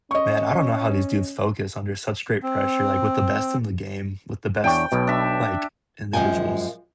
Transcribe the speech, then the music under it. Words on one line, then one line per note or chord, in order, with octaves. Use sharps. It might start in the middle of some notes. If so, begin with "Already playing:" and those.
"Man, I don't know how these dudes focus under such great pressure, like, with the best in the game, with the best, like, individuals."
C#4 D#5 C#6
C4
E2 D4 C#5 G5
B1 B2
D4 E5
F#2 F3 G#3 G5 G#5